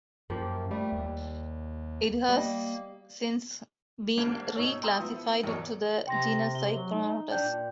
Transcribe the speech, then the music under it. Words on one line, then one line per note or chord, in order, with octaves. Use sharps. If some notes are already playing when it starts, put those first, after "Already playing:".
It has since been re-classified to the genus "Pycnonotus".
F#2 F3 A#3 G4
G3 A3
D#2
G3 A#3 D#5
G#1 G3 A#3 D4 G#6 D7
B2 D#4 C#5 E6
G5 A#5 C6 D#6 E6
F3 B3 E4
A#1 E2 B2 A#4 C#5 D5
C3 G5 C6 A#6
G7
F#3
D#4
D4 D5 G5 G6
A#2